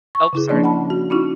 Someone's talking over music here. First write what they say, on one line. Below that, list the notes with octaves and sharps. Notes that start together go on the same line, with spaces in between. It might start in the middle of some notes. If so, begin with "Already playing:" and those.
Ope, sorry.
C#6
C#3 E4 G#4
F3 A#3 C#4 D4 C#5 D5
F#5 A5 B5
F#4
C#4 D#4 E4 F#4